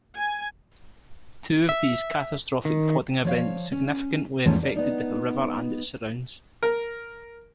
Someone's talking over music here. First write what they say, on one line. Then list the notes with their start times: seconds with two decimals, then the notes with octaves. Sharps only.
Two of these catastrophic flooding events significantly affected the river and its surrounds.
0.15 G#5
1.69 E5
2.65 D#3
3.24 F3 C#5 F5
3.72 C#4
4.46 E2 G#2 F3 A3 C#4 D#4
4.62 A#4 D5
4.76 B3 D#4
6.63 A#4